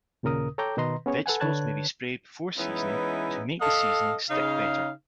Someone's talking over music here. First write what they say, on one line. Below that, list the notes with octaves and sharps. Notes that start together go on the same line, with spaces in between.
Vegetables may be sprayed before seasoning to make the seasonings stick better.
D#2 A#2 C#3 A#4 D#6
A4 C#5 G5 A#5 D6 G6
B2 D#3 B4 D#5 A#5 C6
B3 C#4 G#4 C#5
A4 B4 F#5 G#5
D3 B4 C#5 A5 F#6 G#6
E3 G#3 B3 C#4 D#4 E4
A4 D#5 F5
C#3 D#4 F5